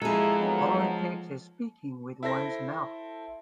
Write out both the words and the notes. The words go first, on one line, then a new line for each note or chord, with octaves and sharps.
All it takes is speaking with one's mouth.
F3 G#3 E4 G#4 A4 A#5
F#3 B3 D#4
E4 A4 C5 A#6